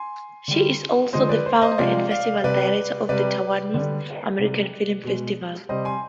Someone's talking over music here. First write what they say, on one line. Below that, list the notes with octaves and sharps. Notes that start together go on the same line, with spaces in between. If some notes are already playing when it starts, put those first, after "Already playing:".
She is also the founder and festival director of the Taiwanese American Film Festival.
Already playing: G#5 C6
D3 G3
D3 F3 G#3 C5 D#5
B4 D5
C5
C5 D#5
C3 F3 G#3 D5 F5
D5 F5
C3 G3 B4 D5
C3 G3 B4 D5
D3 G3
C3 G3
B2 G#3
C3 G3 C5 D#5
G#5 C6